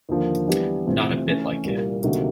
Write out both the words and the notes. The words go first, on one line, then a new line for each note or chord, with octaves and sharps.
Not a bit like it.
D#2 D3 F3 A#3
E3 G3 B3 D4 G4
C3 E3 A3 C4 F4
E3 A3 C#4
C2 A#2 G3 A#3
D2 C3 D#3 F#3 A#3